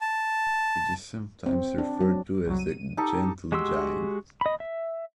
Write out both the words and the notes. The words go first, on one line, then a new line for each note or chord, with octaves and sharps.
It is sometimes referred to as the "Gentle Giant".
A5
C4
D4
F#3
C2 F#3
D#7
D#4 G4 A4
G#3 F#4 G4 C6 E6
D#5 B5
E5